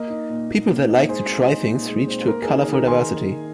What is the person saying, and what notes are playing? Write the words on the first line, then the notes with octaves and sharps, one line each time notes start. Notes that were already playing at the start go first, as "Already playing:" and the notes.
People that like to try things reach to a colorful diversity.
Already playing: A#3 A#4 D#5
D#4
A#2
A#2
A#3
D#4
G#3 G#4 C5
C4
D#4
A#2
G#3
C4
A#3 A#4
D#4 G#4
A#4
D#3 A#4
D#3 G#5 C6